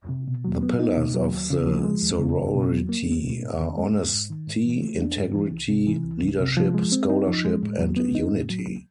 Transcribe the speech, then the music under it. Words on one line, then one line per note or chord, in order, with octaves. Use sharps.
The pillars of the sorority are honesty, integrity, leadership, scholarship and unity.
C3
B2
F#3
B3
D#4
B2
F#3
D#2
C#3
F3
G#3
D#2
C#3
C2
B2
F#3
A#3
C2
B2
G#2
D#3
G#3
G#2
G#2
D#3
G#2
E3
A3
D4
G#2
E3
C2
C3
E3
C2
C2
C3
F3
G#3
C4
D#4
F3
G#3
A2
F#3
B3
D#4
A2
F#3